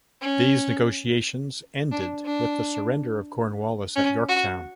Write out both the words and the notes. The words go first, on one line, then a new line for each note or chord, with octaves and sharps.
These negotiations ended with the surrender of Cornwallis at Yorktown.
C#4
D4
D4
C#4
F#4